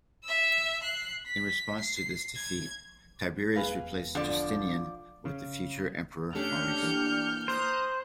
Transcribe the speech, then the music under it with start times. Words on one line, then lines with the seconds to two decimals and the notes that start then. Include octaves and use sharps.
In response to this defeat, Tiberius replaced Justinian with the future emperor Maurice.
0.24 E5 E6
0.83 F#6 C7
1.26 B6
1.79 C7
2.36 G#6
3.56 E1 G#4 B4 F5
4.15 D3 F3 D5
5.25 C#3
6.35 A3 C#4 D4 G4 F6 G6 C#7
6.82 E3 A#3
7.48 C5 A#5 D#6 F#6